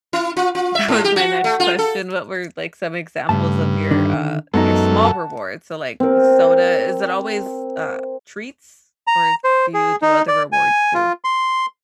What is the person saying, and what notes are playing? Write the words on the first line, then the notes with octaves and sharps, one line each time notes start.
That was my next question. What were, like, some examples of your, uh, your small rewards? So, like, soda is it always, uh, treats, or is do you do other rewards too?
E4
F4
F4
E5
G#2
G4
F#4
A3
F4
A4
G2 C#3 A3 A5
D3 D#3 D4
F#2 G#3 B3 D#4 A4
F#5 A5
C4 A#4
A#5
C5
G#4
D#4
D5
G#5
F4
C6